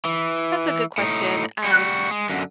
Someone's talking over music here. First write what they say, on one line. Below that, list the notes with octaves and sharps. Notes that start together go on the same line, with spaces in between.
That's a good question, um
E3
A2 D#4
G3 F#4
G#3
F#2 D3